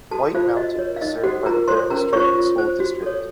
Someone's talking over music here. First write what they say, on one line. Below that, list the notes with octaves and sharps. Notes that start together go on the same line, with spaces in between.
White Mountain is served by the Bering Strait School District.
F#4 A4 A5
F4 C5 F5
F#4 D#5
A#4 C#5
F5
D#4 D#5
F#4 A4 C5 F#5
F4 A#4 A#5
A4 C5 C#5 C6
C#4 A#4 A#5
F4 C5 C#5 C#6
F4
C5
F#4
A4 C#5